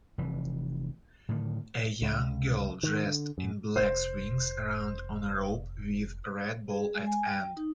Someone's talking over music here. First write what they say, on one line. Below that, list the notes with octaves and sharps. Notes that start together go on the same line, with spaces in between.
A young girl dressed in black swings around on a rope with red ball at end.
F1 E3
A2 D3 D#3
C#2
D#3
D3
F#2
F1 C5
G#4
G#3
G#5
G5
D#4